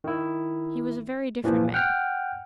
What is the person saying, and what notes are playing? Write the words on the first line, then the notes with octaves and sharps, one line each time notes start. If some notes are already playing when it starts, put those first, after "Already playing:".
He was a very different man.
D#3 E4
A#2 E3 F3
F#5 G5 F6